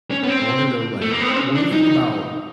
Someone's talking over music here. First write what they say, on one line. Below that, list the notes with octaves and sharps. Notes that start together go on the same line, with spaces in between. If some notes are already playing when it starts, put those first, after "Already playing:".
I wonder, though, like, what do you think about
C#4
B3
C4
A3
A#3
B3
C4
C#4
D4
D#4